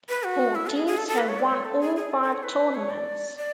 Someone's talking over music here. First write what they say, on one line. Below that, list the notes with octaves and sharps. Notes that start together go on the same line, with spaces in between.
Four teams have won all five tournaments.
B4
F#4
E4
A4
G#4
G#4
A4
A4
B4
C#5
D5
C#5
A4
G#4
G#4
A4
A4
C#5
B4
C#5
D5
D5